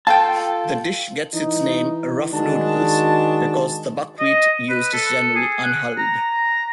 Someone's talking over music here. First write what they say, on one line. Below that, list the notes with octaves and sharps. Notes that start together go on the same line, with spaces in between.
The dish gets its name "rough noodles" because the buckwheat used is generally unhulled.
F4 A4 G5 A5
E3 D#4
D#3 G#3 D4 F#4 A5
D#5
B4
A4
G#4
F#5
A#5